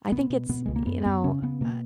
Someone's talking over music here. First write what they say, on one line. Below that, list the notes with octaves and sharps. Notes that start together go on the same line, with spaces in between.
I think it's you know uh
B2 B3
B2
B2 B3
C#2 G#3
A#3
F#2 B3
F#2 B3
C#3 C#4
C#3 B3
B2 A#3